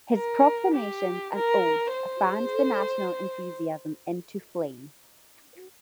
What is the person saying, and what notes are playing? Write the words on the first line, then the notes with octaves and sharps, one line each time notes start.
His proclamations and odes fanned the national enthusiasm into flame.
A#4
G4
A#4
C5